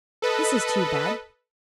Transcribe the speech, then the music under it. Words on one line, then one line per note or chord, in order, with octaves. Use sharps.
This is too bad!
A4 B4 D#5